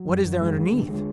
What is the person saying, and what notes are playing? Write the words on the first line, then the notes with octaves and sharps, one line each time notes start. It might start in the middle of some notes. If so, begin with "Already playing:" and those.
What is there underneath?
Already playing: F#3
F#2
F#2
D#2 G#3
D#2
D3
G3
D3 G#3